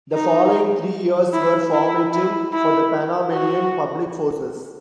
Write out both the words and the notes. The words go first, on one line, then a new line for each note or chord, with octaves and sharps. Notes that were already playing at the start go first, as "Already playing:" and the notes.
The following three years were formative for the Panamanian Public Forces.
D#4
E4
E4
E4
E4
F#4